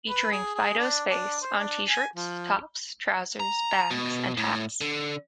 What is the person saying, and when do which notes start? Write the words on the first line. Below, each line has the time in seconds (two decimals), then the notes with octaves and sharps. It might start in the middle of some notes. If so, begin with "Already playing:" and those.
Featuring Fido's face on t-shirts, tops, trousers, bags and hats.
0.08 B4
0.32 G#4
0.55 G#4
0.78 D4
1.09 D4
1.43 C5
1.58 D4
1.88 G#5
2.16 F3
3.40 A#5
3.91 B2
4.37 A2
4.81 D3